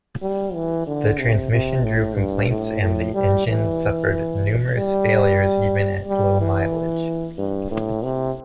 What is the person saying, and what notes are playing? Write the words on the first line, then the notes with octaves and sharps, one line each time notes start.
The transmission drew complaints and the engine suffered numerous failures even at low mileage.
G3
E3
D3
C3
C3
A2
G2
A2
A2
G3
E3
G3
G3
E3
G2
A2
C3